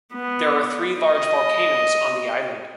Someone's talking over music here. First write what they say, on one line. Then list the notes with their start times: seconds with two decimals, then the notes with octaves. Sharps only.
There are three large volcanoes on the island.
0.13 B3
1.01 D#5